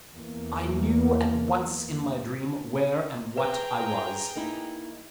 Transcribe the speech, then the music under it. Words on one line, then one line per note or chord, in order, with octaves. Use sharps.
I knew at once in my dream where and what I was.
E2 A#3
G#4 B4 G5 A#5
A#3 D#4 E4